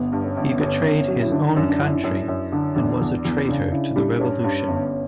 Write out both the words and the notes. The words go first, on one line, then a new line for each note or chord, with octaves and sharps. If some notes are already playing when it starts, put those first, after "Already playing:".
He betrayed his own country and was a traitor to the revolution.
Already playing: G1 B3
G2
C#4
G1
G1 C#4
G1
F#3
E4
D3 D4
F#2
D4
F#2 E4
D4
F#2
F#2
D3
E2 D4
E2
E2
C#3 D4
C#3 E4
G3 D4
G2 C#4
G2
G1